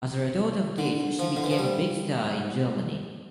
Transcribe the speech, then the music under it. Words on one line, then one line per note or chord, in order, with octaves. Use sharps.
As a result of this she became a big star in Germany.
D3
F3
D3
E3
F3
G3